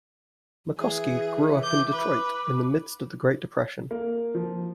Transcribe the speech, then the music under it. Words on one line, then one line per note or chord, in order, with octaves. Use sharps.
McCosky grew up in Detroit in the midst of the Great Depression.
E3 G#4
D6 G6
B4
A#3
F3